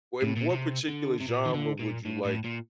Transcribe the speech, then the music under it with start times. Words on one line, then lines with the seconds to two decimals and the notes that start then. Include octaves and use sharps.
in what particular genre would you like
0.22 A2
0.36 A#2
0.50 C3
0.89 D3
1.20 C3
1.28 A#2
1.45 D#3
1.54 D3
1.79 A#2
2.05 A2
2.25 A2
2.44 A#2